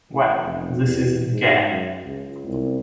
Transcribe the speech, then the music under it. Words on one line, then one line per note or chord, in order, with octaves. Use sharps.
Well, this isn't Cannes.
A1
F1
E2
G#2
F#2
C#2
C2